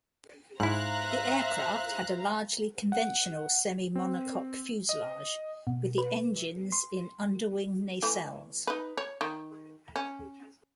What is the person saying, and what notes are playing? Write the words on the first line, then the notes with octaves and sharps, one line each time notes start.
The aircraft had a largely conventional semi-monocoque fuselage, with the engines in underwing nacelles.
G#2 E4 C5 E5 F5 A#5 F#6
F#5
C4
D#5
B2
B4
C6
E3 A3
D#4 B4
C#5
D#3
C#4